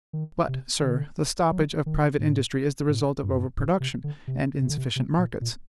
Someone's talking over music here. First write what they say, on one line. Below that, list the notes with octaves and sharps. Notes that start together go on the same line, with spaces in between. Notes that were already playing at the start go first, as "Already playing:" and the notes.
But, sir, the stoppage of private industry is the result of over-production, and insufficient markets.
D#3
C3
D3
F#3
D#3
A2
A2
G2
F#2
G2
A2
C3
D3
C3
C3
D3
C3
C3
A#2
A#2